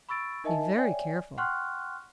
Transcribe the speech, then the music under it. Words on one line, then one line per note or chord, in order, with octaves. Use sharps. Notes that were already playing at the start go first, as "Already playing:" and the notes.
Be very careful.
B5 C#6 E6 A6 D7
D#4 A#4 D#5 E5 G#5 A5
C#5 D5 E5 G5 G#5
F#5 G5 C6 C#6 F6 F#6